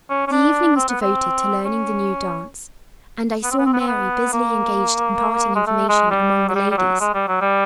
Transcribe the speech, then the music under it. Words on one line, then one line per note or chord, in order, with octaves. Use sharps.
The evening was devoted to learning the new dance, and I saw Mary busily engaged imparting information among the ladies.
C#4
C#4
D4
C4
B3
C4
C#4
B3
C4
B3
C4
B3
C4
B3
A#3
G#3
A3
G#3
G3
F#3
G3
G3
F#3
G#3
G3
F#3
G3